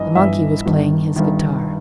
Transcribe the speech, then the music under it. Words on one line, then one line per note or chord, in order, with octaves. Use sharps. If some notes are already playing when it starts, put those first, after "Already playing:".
The monkey was playing his guitar.
Already playing: G1 G2 E3 D#5
G1 G2 E3 E5
G1 G2 D#3
G1 G2 D#3